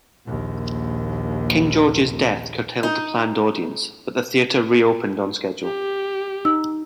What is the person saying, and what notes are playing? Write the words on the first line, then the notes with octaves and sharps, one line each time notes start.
King George's death curtailed the planned audience but the theatre re-opened on schedule.
A#1 D#2
D#4
G4
D#4 E6